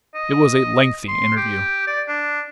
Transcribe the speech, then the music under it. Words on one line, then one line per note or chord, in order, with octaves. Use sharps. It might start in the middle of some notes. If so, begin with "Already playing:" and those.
It was a lengthy interview.
D#5
C6
G4
D5
D4